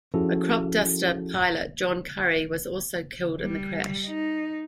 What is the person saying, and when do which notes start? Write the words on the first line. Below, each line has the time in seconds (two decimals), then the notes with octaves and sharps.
A crop-duster pilot, John Curry, was also killed in the crash.
0.14 F3 C#4 E4 F#4 G#4 A4
3.41 G3
4.06 D#4